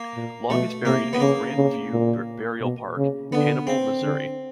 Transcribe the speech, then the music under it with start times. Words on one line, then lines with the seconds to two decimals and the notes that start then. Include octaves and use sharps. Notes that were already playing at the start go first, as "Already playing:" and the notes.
Long is buried in Grand View Burial Park, Hannibal, Missouri.
Already playing: A#3
0.15 A#2
0.50 B2 A3
0.85 C3 A#3
1.13 B3
1.20 C#3 A#3
1.56 C#3
1.91 A#2
2.61 B2
2.97 C#3
3.32 D3 B3
3.67 C4
4.02 D3